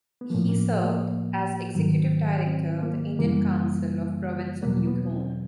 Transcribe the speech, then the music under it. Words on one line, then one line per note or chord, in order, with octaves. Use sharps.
He served as Executive Director of the Indian Council of the Province of Yukon.
B3
A2 F3 A#3
A#3
A#3
G#2 D#3 F#3
C4
A#3
F#2 C#3 E3 G3 A#3
E2 B2 F#3 A#3
B3
C4